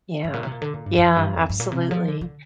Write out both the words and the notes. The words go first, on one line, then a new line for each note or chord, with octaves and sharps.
Yeah, yeah absolutely.
G2
A#2
C3
A#2
D3
A#2
G2
F2
G2
F2
G2
A#2
C3
F3
D3
D3